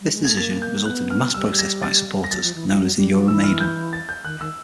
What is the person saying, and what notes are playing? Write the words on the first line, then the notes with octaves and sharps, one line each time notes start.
This decision resulted in mass protests by its supporters, known as the "Euromaidan".
G3
G#3
A3 G#6
A#3 A6
G6
B3 F#6
F6
G3 E6
A#6
A6
A#6
F#3 A6
F3
E3
F3
F#3
G3
F#3
E3 E6
F6
G6
A6
G6
D#3 F#6
D#3 E6